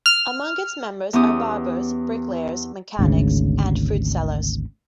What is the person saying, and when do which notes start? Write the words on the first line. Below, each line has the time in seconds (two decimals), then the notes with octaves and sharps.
Among its members are barbers, bricklayers, mechanics, and fruit sellers.
0.06 F6
1.13 E2 B3 C#4 G4 D#6
2.99 G#1 D2 C#3